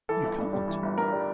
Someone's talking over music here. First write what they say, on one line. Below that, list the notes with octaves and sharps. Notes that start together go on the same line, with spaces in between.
"You can't."
E3 A4
G1
G2
G3
E3
G1
G2 A#4
G3